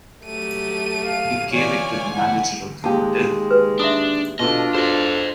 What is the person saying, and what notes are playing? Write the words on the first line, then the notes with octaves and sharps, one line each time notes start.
He gave it to the manager of the hotel.
F#3 A3 G4 D#7
F5
E3 F4 C#5 D5 G#5
E4 F#5
D#2 G#3 G4 A5
B4
D4 E5 C6 D#6
B2 D4 F4 A4 D#5
F#4 A4 C5 D#5